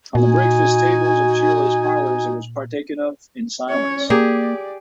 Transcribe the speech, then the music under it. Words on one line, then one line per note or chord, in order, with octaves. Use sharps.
On the breakfast-tables of cheerless parlours it was partaken of in silence.
A#2 D#4 F#4 G#5
C#4 C#5
A#3 G4 G#4 D5